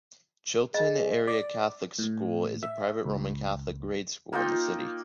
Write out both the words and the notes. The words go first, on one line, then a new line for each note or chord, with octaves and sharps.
Chilton Area Catholic School is a private Roman Catholic grade school in the city.
G#4 D#5
D5
A2
E5
C#2
A#3 D#4 F4 G5